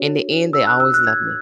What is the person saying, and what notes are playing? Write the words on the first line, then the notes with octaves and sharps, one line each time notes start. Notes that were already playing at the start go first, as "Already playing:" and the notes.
in the end, they always love me.
Already playing: D4 F#4 A4 C#5
E6
F#6
E6
F#6
G#6